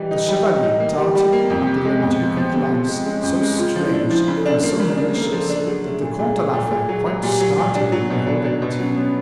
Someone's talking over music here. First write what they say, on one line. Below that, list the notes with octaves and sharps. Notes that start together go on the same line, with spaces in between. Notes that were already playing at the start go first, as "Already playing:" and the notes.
The chevalier darted at the young duke a glance so strange, and so malicious, that the Comte de la Fere quite started on beholding it.
Already playing: E3 G3 D#4
D#4
G3
D#4
D#4
A#3
G3
G3
A#3
B3
F2 C4
C3
G#3
F2 B3
F3
F3
C3
F3
G#3
G#3 C#4
F2
G#3
C#3 F4
F3
E4
D4
F3 E4
C#3
A4
D4
A#3 A#4
C#3
D4
A#3 A#4
A4
F3 G#4
A4
D4
F#3 G#4
A3
A#2
A#2 G#4
F#3
A#2
A4
A#2 G#4
F#3
F#3
A#2 G4
F#3
A#2
D4 G4
F#4
F#3 F4
F#4
B2
D4
D4
B2
F#3 C#4
B3